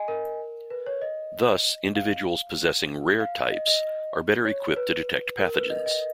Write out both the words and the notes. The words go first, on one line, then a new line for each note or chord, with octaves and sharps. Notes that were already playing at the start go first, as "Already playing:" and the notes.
Thus, individuals possessing rare types are better equipped to detect pathogens.
Already playing: D#5 G#5
A#4
B4
C#5
D#5
F5
F5
D#5
D#5
C#5
B4
A#4
B4
D#5
D#5